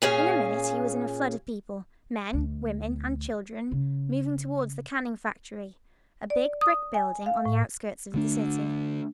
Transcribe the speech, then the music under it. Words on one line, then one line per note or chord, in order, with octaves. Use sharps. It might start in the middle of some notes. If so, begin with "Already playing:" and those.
In a minute he was in a flood of people, men, women and children moving towards the canning factory, a big brick building on the outskirts of the city.
A#2 C#4 G#4 F5
D2
C#3
D5
D#6
G#5
F5
A2
D3 A3 D4